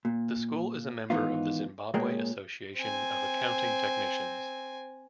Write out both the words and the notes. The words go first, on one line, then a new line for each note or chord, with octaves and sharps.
The school is a member of the Zimbabwe Association of Accounting Technicians.
A#2
G#2 D#3 E3 B3 D#4 F4
A#2 G#3 G#4 A#4 C#5 G5
C4 G#5